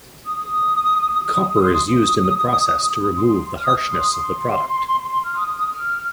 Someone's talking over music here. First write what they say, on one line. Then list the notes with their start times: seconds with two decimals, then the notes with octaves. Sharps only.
Copper is used in the process to remove the harshness of the product.
0.25 D#6
1.62 C6
1.71 D#6
3.16 C6
3.57 F6
3.64 D#6
3.89 C6
4.00 D#6
4.12 C6
5.22 F6
5.33 D#6
5.70 F6
5.98 F6